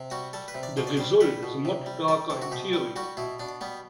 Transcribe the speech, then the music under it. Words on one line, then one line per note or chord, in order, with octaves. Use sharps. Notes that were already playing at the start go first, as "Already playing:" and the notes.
The result is a much darker interior.
Already playing: C3
G3 F#4
G3 A4
B4
C3
D5
B2 C5
D5
G3 C5
G3 B4
B2
C3
G3
G3 A4
C3 A4
F#4
B2 G4
G3
G3 F#4
B2 E4
B2 D4
G3 B3